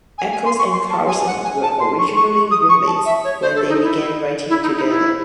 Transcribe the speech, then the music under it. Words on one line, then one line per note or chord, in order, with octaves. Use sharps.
Ackles and Carlson were originally roommates when they began writing together.
G#5
G#5
C6
C#6
C6
A5
G#5
F#5
G#5
A5
C6
C#6
C#6
C#6
D#6
C#6
A5
E5
C#5
C5
A4
D#4
E4
E4
D#4
D#4
E4